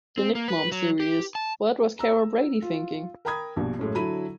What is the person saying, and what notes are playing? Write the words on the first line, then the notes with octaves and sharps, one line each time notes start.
The NickMom series What Was Carol Brady Thinking?
C4
A#3
B4
F#3
G4
A5
A#5 E6
F4
A#4 G5 A#5 B5 D#6 G#6
A#1 G2 B2
F#2 A2 G#3
D3 F#3 E4 A4 B5 D#7